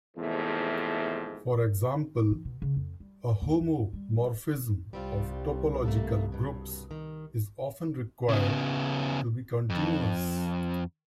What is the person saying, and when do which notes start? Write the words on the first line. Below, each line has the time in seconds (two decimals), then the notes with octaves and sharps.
For example, a homomorphism of topological groups is often required to be continuous.
0.17 E2 G#2 C3 D#3 F3 A3
2.31 E3
2.45 B2
2.62 C#3
2.77 F2
3.00 G3
3.42 D#2
3.61 E2
3.93 G3
4.93 C2 G3 C4 F4
5.85 A3 A#3 A4
6.32 G2 B2
6.91 D#3
8.29 C#3 B3
9.70 F2